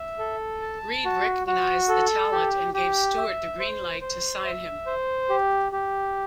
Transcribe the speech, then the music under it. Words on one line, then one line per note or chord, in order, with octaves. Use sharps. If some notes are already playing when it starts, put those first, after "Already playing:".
Reid recognised the talent and gave Stewart the green light to sign him.
Already playing: E5
A4
A5
F#4
F#4
A4
G4
G4
E5
C5
C5
E5
C5
G4
G4